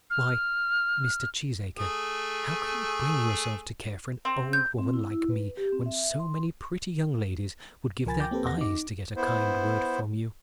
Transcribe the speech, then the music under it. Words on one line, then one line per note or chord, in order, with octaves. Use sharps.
"Why, Mr. Cheesacre, how can you bring yourself to care for an old woman like me, when so many pretty young ladies would give their eyes to get a kind word from you?"
F6
A3 G#4
C4
G6
C4
E4
E4
B4
G4
C4
E5
C6
C#2 F3 A#4 G#5 B5 A6
G5 D6 G6 A#6
A#3 C4 G4 A4 B4
E2 F#5 A#6
D#4 D6
B3 E4 C5